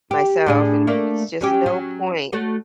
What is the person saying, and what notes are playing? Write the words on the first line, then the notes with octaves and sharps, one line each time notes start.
myself, and it's just no point.
G4
A2 D4 G#4
A3 A#3 D4
F#3 C#4 G4
F#3 C#4
A3 F#4 C#5